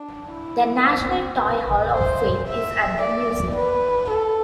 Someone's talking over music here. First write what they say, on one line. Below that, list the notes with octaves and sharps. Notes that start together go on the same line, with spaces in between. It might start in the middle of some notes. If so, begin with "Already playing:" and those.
The National Toy Hall of Fame is at the museum.
Already playing: D4
E4
C4
B4
C5
E5
D5
B4
A4